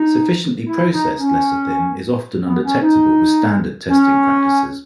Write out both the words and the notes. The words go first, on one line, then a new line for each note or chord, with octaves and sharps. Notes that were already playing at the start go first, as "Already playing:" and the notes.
Sufficiently processed lecithin is often undetectable with standard testing practices.
Already playing: D#4
E4
D#4
C#4
B3
C#4
D#4
C#4